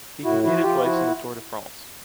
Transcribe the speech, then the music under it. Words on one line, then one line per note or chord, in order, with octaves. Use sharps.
He competed twice in the Tour de France.
A2 E4 F#4
F3 E4 F#4
F3 F4 G4
F3 E4 F#4